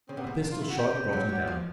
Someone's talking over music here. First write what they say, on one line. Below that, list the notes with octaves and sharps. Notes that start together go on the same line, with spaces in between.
A pistol-shot brought him down.
C#3 C4
C3 B3
B2 C4
A#2
D4
F4
E4
F#4
C3 G4
D3
C#3
F#3
G3
F#3
F3